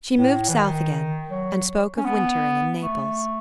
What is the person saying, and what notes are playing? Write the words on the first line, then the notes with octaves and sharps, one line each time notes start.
She moved south again, and spoke of wintering in Naples.
A2
E3
D#3
F#3
C#4
B3
A3